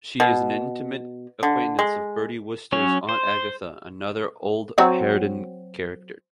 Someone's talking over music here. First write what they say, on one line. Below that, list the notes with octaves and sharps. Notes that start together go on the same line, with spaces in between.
She is an intimate acquaintance of Bertie Wooster's Aunt Agatha, another old harridan character.
B2
D3
G#3
F#3 C#4 C#5
C5
F#3 C4 F#4